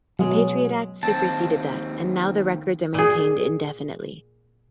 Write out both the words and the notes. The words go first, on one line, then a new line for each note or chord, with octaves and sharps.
The Patriot Act superseded that and now the records are maintained indefinitely.
B2 F#3 G#3
D#2 C4 A5
A#2 G#4